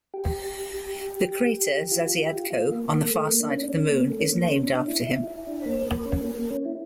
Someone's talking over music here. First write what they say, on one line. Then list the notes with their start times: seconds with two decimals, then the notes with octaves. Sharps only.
The crater Zasyadko on the far side of the Moon is named after him.
0.14 G4
1.92 F4
2.06 F4
2.22 G4
2.36 F4
2.51 F4
2.71 A#3
2.90 A#3
3.11 A3
3.30 A#3
3.40 D4
3.50 C#4
3.63 D4
3.68 C#4
3.88 A#3
4.08 A3
4.19 C#4
4.28 A#3
4.48 C#4
4.67 D4
4.88 E4
5.07 E4
5.27 E4
5.47 D4
5.66 A#3
5.86 A#3
6.05 C#4
6.21 A#3
6.35 A#3
6.51 C#4
6.65 E4